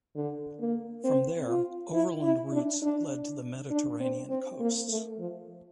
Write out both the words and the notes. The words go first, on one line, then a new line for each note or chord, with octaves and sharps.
From there, overland routes led to the Mediterranean coasts.
D3
A#3
C4
F4
E4
E4
D4
D4
D4
C4
C4
A#3
A3
F3